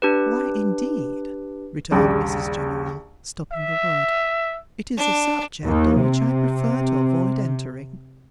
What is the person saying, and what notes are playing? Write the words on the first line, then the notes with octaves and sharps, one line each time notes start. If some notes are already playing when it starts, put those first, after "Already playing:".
'Why, indeed,' returned Mrs General, stopping the word, 'it is a subject on which I prefer to avoid entering.
D4 G4 B4
A#1 D#2 C#3 G3
E5
D4
D#2
C3